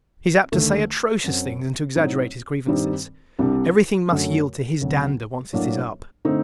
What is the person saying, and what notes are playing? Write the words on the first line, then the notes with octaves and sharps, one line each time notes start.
He is apt to say atrocious things and to exaggerate his grievances. Everything must yield to his "dander" once it is up.
D#2 D3 A3
F#2 F#3 C4
A2 F#3 C4 D#4
G2 D#3 G3 C4 D#4
C2 C3 G3 D4
F#2 D3 F#3 A3
D2 C3 F#3
A2 F#3 A#3 D4
D3 A3 C4 D#4